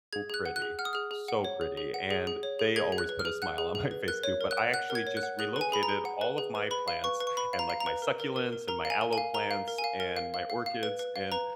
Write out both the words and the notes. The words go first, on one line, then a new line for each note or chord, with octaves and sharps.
pretty, so pretty, and they always put a smile on my face too, but I actually just relocated all of my plants, and, like, my succulents, and my aloe plants, and my orchids, and
G#4 G#6
G#4 F#6
F#5
F#6
G#4
F#5 F6
D#6
G#4 F6
G#4
F#5
C#5
G#4
G#4
F#5
G#4
G#4
C#5
G#4
G#4 G#6
G#4
F#6
B4
F6
G#4
F#5 F#6
G#4
G#4
B4
A#4 F#6
C#5
A#4
F#6
F#5
F#5 F#6
A#4
G#6
C#5
F#6
F#5
G#4 F#6
B4
G#5
G#4 B5
A#5
G#4
F#5
B4
G#4
B4
B4 B5
F5
B4 C#6
B4
C#6
B4 B5
F5
A#5
F5
A#5
B4
A#4
A#4
A#4
A#4
A#4 A#5
F5
G#5
A#4
F5 G#5
A#4 A#5
F5
A#4
G#5
F5
A#4
F5
F5
F5
F5
B4
B4
F5
B4 A#5